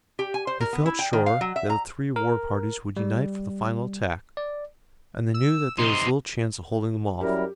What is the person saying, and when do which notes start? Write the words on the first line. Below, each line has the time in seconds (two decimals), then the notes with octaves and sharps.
They felt sure that the three war-parties would unite for the final attack, and they knew that there was little chance of holding them off.
0.19 G4
0.34 G#5
0.47 C5
0.61 A#4
0.73 B3
0.86 E4
0.99 G5
1.13 D#3
1.26 F5
1.41 F#3
1.56 E5
1.70 A#5
2.16 A#4
2.97 G3
4.37 D5
5.34 E6
5.78 C3 D#4 C6
7.21 F#2 G3 E4 G4 A#4